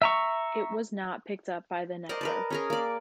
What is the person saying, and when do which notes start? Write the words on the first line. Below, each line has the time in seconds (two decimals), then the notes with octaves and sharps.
It was not picked up by the network.
0.02 E5 A#5 C#6
2.09 A#4 C5 D5 D#5
2.21 A#4 B4 A5
2.50 C#4 G#4 A#4
2.70 A#3 D5